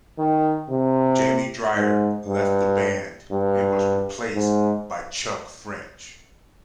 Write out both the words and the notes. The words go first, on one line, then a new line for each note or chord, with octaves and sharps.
Jamie Drier left the band and was replaced by Chuck French.
D#3
C3
G#2
G2
G2
G#2